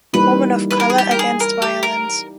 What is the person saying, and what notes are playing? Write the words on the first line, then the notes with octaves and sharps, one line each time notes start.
Women of Color Against Violence.
E3 G3 A#3 D#4 B4
B4
A#4
G#4
G4
A#4
G#4
A#4
G4
A#4